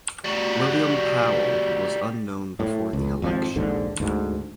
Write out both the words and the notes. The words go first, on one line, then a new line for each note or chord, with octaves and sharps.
William Powell who was unknown before the election.
G3 F#4
A2
C#2
G#1 F2 B2 F3
A#1 D#2 G#2 D3
D2 G#2